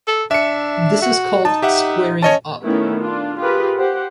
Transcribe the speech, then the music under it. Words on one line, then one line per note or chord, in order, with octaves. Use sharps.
This is called squaring up.
A4
D4 E5 C#7
F#4
D#4 A5
G4 E5 F#5
C#4 C#5 D#5 A5
D#3 A3 B3 C#4 E4
D4 F4
F4 G4 G#4 A#4 B4
G4 C5 F#5